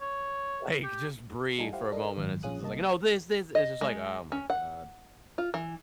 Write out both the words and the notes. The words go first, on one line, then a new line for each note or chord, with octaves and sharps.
Like, just breathe for a moment. It's just is like, "You know, this, this!" It's just like, "Oh my god."
C#5
G4
G3 D#4 F4 A4 G#5
E4 G4 C5 F5 F#5
D4 A4 A#4 D#5
G#1 F#2
A#1 C#4 F4 G#4 D#6 F#6
C2 A#3 D#5 A5
D#5
G#3
C#4
F#5
F4
E3